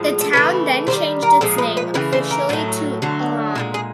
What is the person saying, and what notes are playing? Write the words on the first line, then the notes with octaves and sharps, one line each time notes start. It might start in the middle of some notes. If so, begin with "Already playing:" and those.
The town then changed its name officially to Elon.
Already playing: A2 F3 G#3
A4
C#3 E3 A3 B4
C3 D#3 G3 C5
A#4
A#2 F3 G#3 A4
B4
B4
C#3 E3 A3 B4
C5
A#4
A2 F#3 A3
D3 F#3 A3
A#2 F3 G#3 A4
G#4